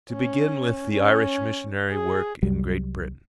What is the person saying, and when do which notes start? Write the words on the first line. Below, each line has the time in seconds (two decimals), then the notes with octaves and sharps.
To begin with the Irish missionary work in Great Britain.
0.12 C#4
0.94 C#4
1.92 G#4
2.43 C2 F#3 G3